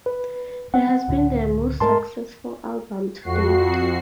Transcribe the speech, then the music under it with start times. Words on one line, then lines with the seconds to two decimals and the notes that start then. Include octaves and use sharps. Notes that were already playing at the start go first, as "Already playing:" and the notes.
It has been their most successful album to date.
0.06 B4
0.74 C4 F#5
1.08 C#2 A2 D3
1.80 G#2 G#3 A3 A#4 A5 C6
3.22 F2 F#4 C7